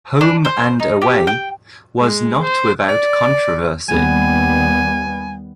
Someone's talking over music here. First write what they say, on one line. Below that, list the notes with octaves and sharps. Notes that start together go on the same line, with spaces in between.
"Home and Away" was not without controversy.
D4
C5
D#4
G4
G5
G#3
C5
D5
D#2 G3 B3 G#5